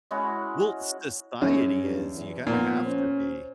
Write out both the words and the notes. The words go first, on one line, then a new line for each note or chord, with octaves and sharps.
Well, society is you kinda have to be
G#3 C#4 E4 F#4
F#2 C#3 C#4
G2
E2
A#2 F3 B3
C#4 C5